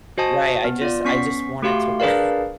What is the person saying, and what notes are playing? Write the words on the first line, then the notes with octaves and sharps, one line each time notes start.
Right, I just I just want it to work,
F#4 C5 D#5 G#5 A5 D#6
B3
F4 D5
B3 C#4 C#6 B6 C7
A3 F#4 G4 F5 C6
D4 G#4 A#4 B4 D5 F5